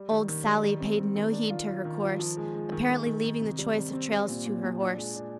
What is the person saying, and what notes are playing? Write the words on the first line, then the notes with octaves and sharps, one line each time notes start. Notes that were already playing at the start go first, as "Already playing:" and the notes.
Old Sally paid no heed to her course, apparently leaving the choice of trails to her horse.
Already playing: G3
D#3
D#3
G3
D#3
C4
D#3
D#3
D4
F4
F4
D#3
F3
F3
G#3
G#3
D#3
D#3
D#3
D#3
C3
G3
C3
C4
G3
A#2
A#2
A#2
D4
G#3
D4